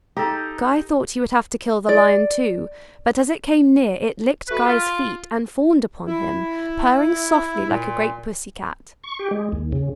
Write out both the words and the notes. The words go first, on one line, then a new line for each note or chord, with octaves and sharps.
Guy thought he would have to kill the lion too, but as it came near it licked Guy's feet and fawned upon him, purring softly like a great pussy-cat.
D#4 G4 A4
D5
A3 F#4 B4
F4
E4
A#2
C#6
G4
G#3
D#2
C#3